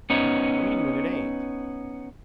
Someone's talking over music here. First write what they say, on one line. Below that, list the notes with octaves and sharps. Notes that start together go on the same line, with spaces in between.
"I mean when it ain't."
B3 C#4 D#4